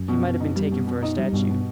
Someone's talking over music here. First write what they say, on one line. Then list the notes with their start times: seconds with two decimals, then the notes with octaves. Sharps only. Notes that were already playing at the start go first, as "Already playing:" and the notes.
He might have been taken for a statue.
Already playing: F#2
0.08 B2
0.24 B2
0.40 D#4
0.56 G3
0.71 B2
0.87 B2
1.03 D#4
1.18 G3
1.33 G2 B2
1.49 B2